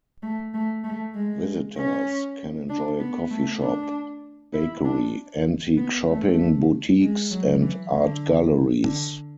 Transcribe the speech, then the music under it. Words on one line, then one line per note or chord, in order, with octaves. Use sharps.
Visitors can enjoy a coffee shop, bakery, antique shopping, boutiques, and art galleries.
A3
A3
A3
G#3
C#4
D4
B3
A3
D4
E4
D4
B3
A3
G#3
F#3
E3
D3
D3